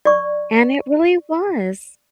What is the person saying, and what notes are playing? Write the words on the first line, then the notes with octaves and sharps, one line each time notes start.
and it really was.
D5 C#6